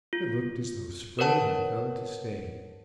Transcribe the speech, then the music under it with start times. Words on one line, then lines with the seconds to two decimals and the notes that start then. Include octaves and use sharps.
It looked as though spring had come to stay.
0.13 F4
1.19 A#4 B4 C#5 F#5 A5